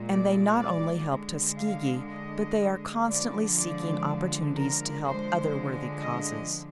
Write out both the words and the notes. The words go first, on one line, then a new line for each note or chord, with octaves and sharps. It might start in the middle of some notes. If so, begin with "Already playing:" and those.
And they not only help Tuskegee, but they are constantly seeking opportunities to help other worthy causes.
Already playing: A#2 G#3
D5
D5
D3 G#3
F5
D#5
D3 F3 G#3 D5
D5
A#4
D3 F3 G#3 C5
D#5